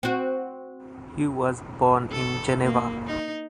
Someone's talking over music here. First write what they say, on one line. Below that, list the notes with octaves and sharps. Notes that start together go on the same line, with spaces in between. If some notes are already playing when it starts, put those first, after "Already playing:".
He was born in Geneva.
C4 F#4
A4
A#3
D#4